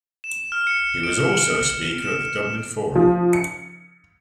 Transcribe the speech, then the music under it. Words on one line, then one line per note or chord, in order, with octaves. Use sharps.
He was also a speaker at the Dublin Forum.
E7
F6
C#7
D7
E7
F3
C#7